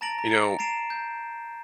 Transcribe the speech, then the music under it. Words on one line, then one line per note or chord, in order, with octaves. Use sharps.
You know
A5 A#5 A6 A#6 D7 F#7
A#5
A#5 A6 C7 D7 E7
G6